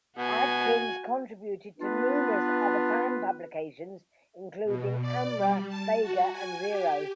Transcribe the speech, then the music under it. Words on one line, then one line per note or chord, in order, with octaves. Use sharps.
Adkins contributed to numerous other fan publications, including "Amra", "Vega" and "Xero".
B2 F#4 G#5
B3 D4 F4 B4
B2
D5
G3
A5
F#4
G#5
G4